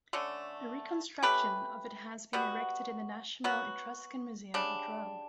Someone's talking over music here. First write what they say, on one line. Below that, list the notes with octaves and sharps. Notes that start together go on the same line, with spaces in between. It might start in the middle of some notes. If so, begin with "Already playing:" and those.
A reconstruction of it has been erected in the National Etruscan Museum at Rome.
D3 A3 C#4
A3 C#4 G4 B4
G3 B3 F#4
F#3 B3 F#4
C#3 G3 D4